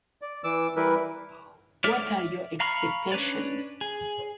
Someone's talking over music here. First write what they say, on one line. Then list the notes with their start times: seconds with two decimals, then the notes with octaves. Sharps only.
What are your expectations?
0.22 D5
0.44 E3 D6 E6
0.76 E3 G3 E4 A#4 B4
1.84 C#5 D5 E5 D6 F6
2.60 F5 A#5 B5 C#6 F6
3.12 C#4 D4 B4 C#5 D5
3.81 G#4